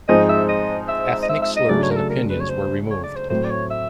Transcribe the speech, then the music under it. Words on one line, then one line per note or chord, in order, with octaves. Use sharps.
Ethnic slurs and opinions were removed.
G#2 F3 G#3 C4 D#4 D#5
E5
D#5
E5
D#5
E5
E5
D#5
C#3 F#3 A3 D4 D5
C#5
A#4
A4
A#4
B4
C#5
C5
C#5
D5
C5
A2 F#3 A3 C4 C5
D5
C#5
E5